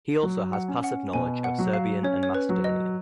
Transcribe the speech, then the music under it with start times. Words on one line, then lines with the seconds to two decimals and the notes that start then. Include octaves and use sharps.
He has also passive knowledge of Serbian and Macedonian.
0.23 F#3
0.53 F#5
0.68 C#4
0.84 F#5
1.13 B2 G#5
1.44 F#5
1.59 F#3
1.73 F5
2.03 C#4 C#5
2.23 C#5
2.34 B4
2.49 F#3
2.64 D#5